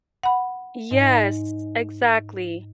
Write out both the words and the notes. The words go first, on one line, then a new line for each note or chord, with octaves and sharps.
Yes, exactly.
F#5 B5
G#2